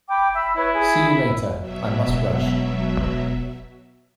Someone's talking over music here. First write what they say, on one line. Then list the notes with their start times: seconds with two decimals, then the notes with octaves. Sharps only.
See you later. I must rush.
0.09 G5 B5 D6
0.34 E5 B5 E6
0.56 E4 B4 C#5
0.73 G#4 G#5
1.09 B5
1.60 B2 F#3 E5
2.08 E1